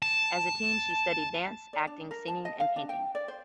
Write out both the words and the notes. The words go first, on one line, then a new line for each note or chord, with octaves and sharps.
As a teen, she studied dance, acting, singing, and painting.
A5
D5
D4
A#4
A5
D#5
F5
D4
G5
D5
C5